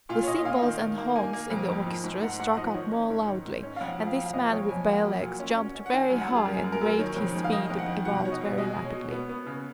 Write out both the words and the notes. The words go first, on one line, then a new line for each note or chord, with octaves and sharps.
The cymbals and horns in the orchestra struck up more loudly, and this man with bare legs jumped very high and waved his feet about very rapidly.
A#2 F4
C#5
A#2 D#5
D#5
A#2 F5
D#3
D#3
A#3
A#3 G#5
A#3
F2
G#2
F3
G#2
G#2 F#5
G#2 F#5
F3 D#5
D#3 C#5
C#4
G#2
D#3
G#2
C#4
F5
F2 F#5
F3
F5
F3
F5
F2 D#5
F2 C#5
F2 G#5
A#3 F#5
F#3
A#2
C#4
C#4
C#4
F#5
D#3 G#5
F#2
F#5
F#2
G#4
F#2 A#4
F#2
A#4
F#2
D#3 C#5
F2
G#3
F5
D#3 D#5
F2
F#5
D#3
B2 F#5
B2 C#5
D#5
B2
G#3 D#5
B2
C#5
B2
B3
B3
C#3